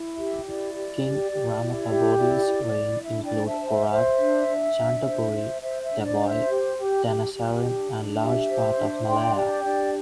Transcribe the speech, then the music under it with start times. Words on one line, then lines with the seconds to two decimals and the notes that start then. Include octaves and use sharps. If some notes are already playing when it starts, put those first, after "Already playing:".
King Ramathabodi's reign included Korat, Chantaburi, Tavoy, Tenasserim, and large parts of Malaya.
Already playing: E4
0.16 G4 E5
0.45 E4 D5
0.74 G4
1.02 G4
1.31 G4
1.59 E4
1.88 G4
2.17 E4 D5
2.46 E4
2.74 E4
3.03 D4 E5
3.25 D5 G5
3.32 C5
3.46 E5 A5
3.60 C5
3.68 E5
3.89 C5 E5
4.18 D4
4.47 D4
4.76 D4
5.05 C5
5.33 C5
5.61 C5 E5
5.83 E5
5.91 D4
6.04 D5
6.19 C5
6.26 E5
6.47 G4
6.76 G4
7.05 G4
7.33 G4
7.62 D4
7.92 D4
8.20 G4 E5
8.49 C5
8.77 D4
9.06 D4 G5 C6
9.35 G4 D5 G5
9.63 D4 D5 G5